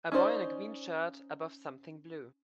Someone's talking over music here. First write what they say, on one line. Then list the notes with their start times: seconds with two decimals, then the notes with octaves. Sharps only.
A boy in a green shirt above something blue.
0.12 C#4 D#4 F#4 C5 D5